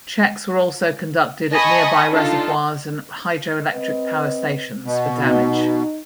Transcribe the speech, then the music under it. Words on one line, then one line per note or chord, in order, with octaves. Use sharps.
Checks were also conducted at nearby reservoirs and hydroelectric power stations for damage.
D#5 G#5 A5 B5 C#6 D#6
D4 D#4 F4 A4
C4 B4 D#5
B2
D#4